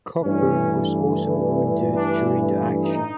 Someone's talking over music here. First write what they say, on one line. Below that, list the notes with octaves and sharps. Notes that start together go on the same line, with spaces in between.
Cockburn was also wounded during the action.
G2 E3 A3 C#4
D4
D#4